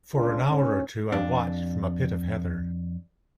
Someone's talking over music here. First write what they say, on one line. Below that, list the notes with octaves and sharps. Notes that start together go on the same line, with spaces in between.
For an hour or two I watched it from a pit of heather.
C#2 D4 F4
G#2 C#4
F2 D4